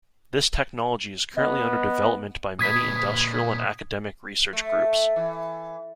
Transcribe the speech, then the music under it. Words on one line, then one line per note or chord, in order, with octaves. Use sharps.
This technology is currently under development by many industrial and academic research groups.
B3 D#5
A#2 B4 D#6 G#6 B6
A3
E3